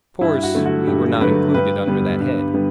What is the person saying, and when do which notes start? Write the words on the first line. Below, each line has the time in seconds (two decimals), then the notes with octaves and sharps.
Of course, we were not included under that head.
0.21 G2 E4
0.43 F#4
0.55 D3 F#3 A3
0.66 F#4
0.87 G2 G4
1.21 D3 F#3 A3 B4
1.54 G2 B4
1.87 D3 G3 B3
2.21 G2
2.54 D3 G3 B3